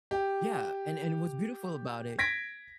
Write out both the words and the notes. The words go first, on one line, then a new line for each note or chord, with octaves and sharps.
Yeah, and and what's beautiful about it
G4
G#6 A#6 B6 D7